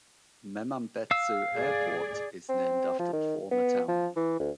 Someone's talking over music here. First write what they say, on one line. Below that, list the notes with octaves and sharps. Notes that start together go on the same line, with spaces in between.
Memanbetsu Airport is named after the former town.
F5 E6
G#4 D5
C4
F3
D#3
B3
F3
E3
D2